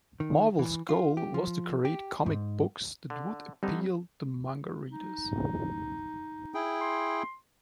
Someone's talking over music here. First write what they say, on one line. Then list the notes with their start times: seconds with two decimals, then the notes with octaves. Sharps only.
Marvel's goal was to create comic books that would appeal to manga readers.
0.20 D#3
0.59 E3
0.89 F4
1.17 G4
1.34 F3
1.85 G4
2.26 G#2
3.10 D3
3.63 D3 G3 C4 D#4
4.90 D#4
6.54 E4 G#4 G5
6.81 C6